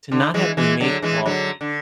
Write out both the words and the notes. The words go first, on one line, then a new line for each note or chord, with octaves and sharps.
to not have to make coffee
D3
E3 G#3
E3 G#3
D3 F#3
E3 G#3
D3 F#3
D3